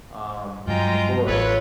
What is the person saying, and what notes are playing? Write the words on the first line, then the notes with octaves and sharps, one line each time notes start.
um, before,
G2 F#3 G#3 F4 G5 A#5
A1 F4 A4 B4 C#5